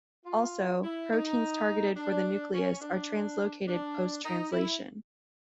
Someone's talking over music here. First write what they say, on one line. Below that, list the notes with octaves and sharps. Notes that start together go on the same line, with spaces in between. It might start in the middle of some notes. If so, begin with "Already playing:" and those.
Also, proteins targeted for the nucleus are translocated post-translation.
F4
E4
D#4
D4
C#4
D4
D4
D#4
E4